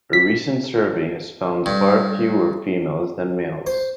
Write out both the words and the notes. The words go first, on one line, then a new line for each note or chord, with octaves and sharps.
A recent survey has found far fewer females than males.
B6
G2
C5